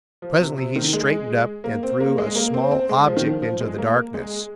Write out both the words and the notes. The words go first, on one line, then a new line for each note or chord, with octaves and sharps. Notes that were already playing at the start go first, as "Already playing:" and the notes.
Presently he straightened up and threw a small object into the darkness.
F3
C3
C3
D#3
G#3
A#3
C4
A#3
G#3
A#3
C4
C4
G#3
F3
D#3
F3
F3
G#3
A#3
G#3